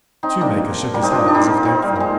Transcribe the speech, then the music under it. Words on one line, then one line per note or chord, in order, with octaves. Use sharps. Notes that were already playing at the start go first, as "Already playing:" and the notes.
The shoemaker shook his head as if doubtful.
C4 D#4
A#3 D4
G3 A#3
C4 D#4
D4 F4
D#4
D4
C4 D#4
C4 D#4
G3
G#3 A#3